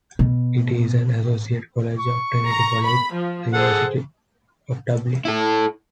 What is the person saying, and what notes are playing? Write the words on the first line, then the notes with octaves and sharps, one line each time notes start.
It is an associate college of Trinity College, the University of Dublin.
B2
C#6
A#5
B5
F3
G#4 A4 C5 F#5
E4 A4